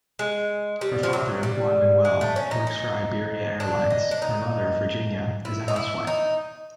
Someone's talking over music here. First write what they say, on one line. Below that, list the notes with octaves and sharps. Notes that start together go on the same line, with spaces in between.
Her father, Juan Manuel, works for Iberia Airlines; her mother, Virginia, is a housewife.
G#3
G3
F3
F#3
G3
G#3
A3
C#4
D#4
D#4
D4
D#4
D4
D#4
E4
D#4
E4
D#4